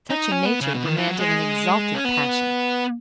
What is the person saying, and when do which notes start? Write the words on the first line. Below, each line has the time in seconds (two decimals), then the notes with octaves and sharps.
Such a nature demanded an exalted passion.
0.10 D#4
0.32 C#4
0.46 B3
0.61 C#3
0.75 B2
0.85 D#3
0.97 E3
1.08 F#3
1.18 G#3
1.94 C#4
2.04 B3